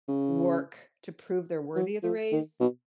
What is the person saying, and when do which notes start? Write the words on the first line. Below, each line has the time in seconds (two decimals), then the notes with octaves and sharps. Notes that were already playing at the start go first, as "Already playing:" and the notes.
work to prove they're worthy of the raise,
0.08 C#3
1.76 F#3
2.03 F3
2.32 D#3
2.60 B2